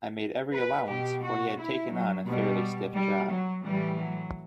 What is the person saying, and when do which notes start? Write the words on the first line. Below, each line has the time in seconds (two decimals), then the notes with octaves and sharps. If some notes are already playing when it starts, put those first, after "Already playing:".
I made every allowance, for he had taken on a fairly stiff job.
0.52 B4
0.87 B2 G4
1.22 F#4
1.57 E4
1.92 F#3
2.26 B2 G3
2.95 G3
3.30 F#3
3.65 A2 E3 G3
4.00 F#3